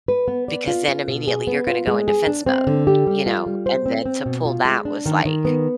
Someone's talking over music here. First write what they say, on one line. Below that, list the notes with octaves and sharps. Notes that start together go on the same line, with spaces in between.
Because then immediately, you're gonna go in defense mode, you know? And then to pull that was, like
B4
B3
D5
F4
F4
B2
G#4
B3
F4
G#3
G#4
D4
C4
D3
G4
G3
F4
G3
C5
C4
C4
B2
F4
G#3
D4
D#3
D#3
B3